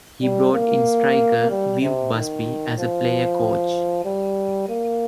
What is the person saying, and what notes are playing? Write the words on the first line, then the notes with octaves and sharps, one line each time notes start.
He brought in striker Viv Busby as a player-coach.
G3
A#3
G3
C3
D#3
F3
G3
A#3